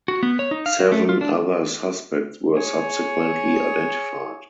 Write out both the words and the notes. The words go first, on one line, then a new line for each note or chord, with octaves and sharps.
Seven other suspects were subsequently identified.
F#4
B3
C#5
D#4
F5
F#4
A3
F4
D4
G#4 C#5